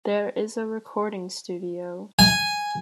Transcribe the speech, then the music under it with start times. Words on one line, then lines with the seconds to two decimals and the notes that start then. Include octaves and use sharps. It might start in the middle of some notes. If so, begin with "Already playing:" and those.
There is a recording studio.
2.19 G#5